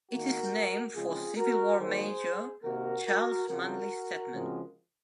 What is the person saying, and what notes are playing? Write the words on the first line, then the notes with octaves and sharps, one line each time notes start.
It is named for Civil War Major Charles Manly Stedman.
D#3 A#3 F#4 A#4
C#3 F3 G#3 C4 F4 G#4
F#4 A#4
D#3 F#3 A#3 G#4 C5
C3 D#3 A#3 F#4 A#4
F#4 A#4
C#3 F3 C4 F#4 A#4
C#3 F3 G#3 C4